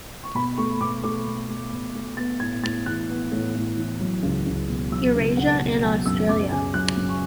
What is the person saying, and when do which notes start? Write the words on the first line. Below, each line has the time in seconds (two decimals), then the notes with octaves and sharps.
Eurasia and Australia.
0.24 C#6
0.35 B2 B5
0.58 A3 C#6
0.80 B2 D6
1.04 A3 D6
1.27 B2
1.49 A3
1.72 B2
1.95 A3
2.17 B3 A6
2.40 A2 G#6
2.63 A2 A6
2.86 E3 F#6
3.09 B3
3.32 A2
3.55 A2
3.77 E3
4.00 F#3
4.23 C#2
4.46 C#2
4.69 B2
4.91 F#3 E6
5.15 C#2
5.37 C#2 F#5
5.61 B2
5.83 F#3 G#5
6.06 F#2 E6
6.29 F#2 D6
6.52 C#3 G#5
6.74 F#3 F#6
6.97 F#2
7.09 C#6